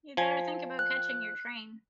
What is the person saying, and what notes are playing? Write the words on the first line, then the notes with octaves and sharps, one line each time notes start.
You’d better think about catching your train.
F3 G#5
F#6